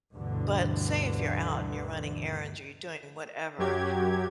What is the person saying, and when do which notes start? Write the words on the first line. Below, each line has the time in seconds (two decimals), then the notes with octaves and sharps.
but say if you're out and you're running errands or you're doing whatever,
0.15 D2 G2 B2 D3 E3
3.58 F#2 F#3 G4 G#6